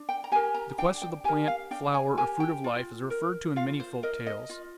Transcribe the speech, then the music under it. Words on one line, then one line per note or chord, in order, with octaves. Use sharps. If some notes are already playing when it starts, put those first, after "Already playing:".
The quest of the plant, flower, or fruit of life is referred to in many folk tales.
Already playing: D4
G5
A#5
G4 A#4 G#5
A#5
D4 G5
G5
G4 A#4 G#5
F5
D4 G5
G#5
G4 A#4 G#5
G5
F4
A#4
F4 F5
C5
A#4 D#5
D#5
F4